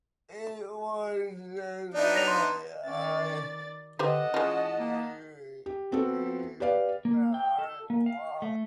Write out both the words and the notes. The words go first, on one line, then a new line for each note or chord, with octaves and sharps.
It was just, 'Hey, I'll see you in nine months.
B3 D4 D#4 D5 E5
C#5 A#6 F7
C6
D#3 C#4 D5 A6
D3 G4 B4 C5 D#5 F#5 A5
G#3 C#4 F4
A#3
G4
B3 C4 F#4 A4
G4 B4 D5 F5
A#3
G5
A4
A#3
F5
A3